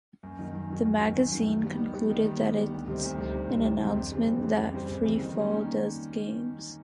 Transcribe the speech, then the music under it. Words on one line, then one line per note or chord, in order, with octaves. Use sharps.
The magazine concluded that it's an announcement that Free Fall does games.
F#2
D#3 F#3
F#2
D#3 F#3
F#2
D#3 F#3
F#2
D#3 F#3
D#3
G3 B3
D#3
G3 B3
D#3
G3 B3
D#3
G3
B3
D2
C3 D#3 G3 C4
D2
C3 D#3 G3 C4
D2
C3 D#3 G3 C4
D2
C3 D#3 G3 C4
F2
C#3 E3 G3 C4
F2
C#3 E3 G3 C4
F2
C#3 E3 G3 C4
F2
C#3 E3 G3 C4
D#3
G3 A#3 C#4
D#3